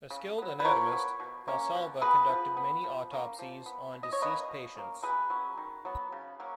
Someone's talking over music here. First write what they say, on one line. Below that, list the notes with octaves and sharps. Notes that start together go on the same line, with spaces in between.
A skilled anatomist, Valsalva conducted many autopsies on deceased patients.
C#3
F#3 B3
B4
F3 A#4 C#5
B3
B2
A#3 C#4
B2
G#3 B3 G#4 B4
F3
B3
F3
A#3 C#4
F3
B3
B2
D#5
C#5
A#3 C#4 B4 D#5
B2
A#3 C#4
B2 G#4 B4
F#3 C#4
D#3
F#3 B3
C#3
F#3 A#3 C#4